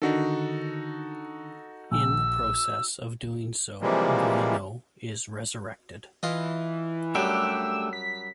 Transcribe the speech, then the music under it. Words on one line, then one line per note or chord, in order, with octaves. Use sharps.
In the process of doing so, Gwenno is resurrected.
D3 D#3 D#4 F#4 A4
A#1 E6
C3 E3 F3 G3 G#3 A#3
E3 F4 D#5
F#2 G3 A3 D4 G4 E6
B6